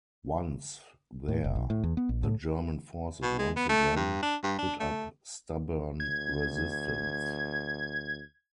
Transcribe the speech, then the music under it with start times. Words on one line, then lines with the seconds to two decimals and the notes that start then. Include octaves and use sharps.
Once there the German forces once again put up stubborn resistance.
1.28 A2
1.44 F1
1.56 B1
1.70 A2
1.84 E2
1.97 B3
2.09 A#1
2.23 A2
3.22 B2
3.38 G#3
3.56 B3
3.69 A3
3.96 G2
4.22 D4
4.43 G2
4.58 D4
4.80 A3
6.00 D2 G#6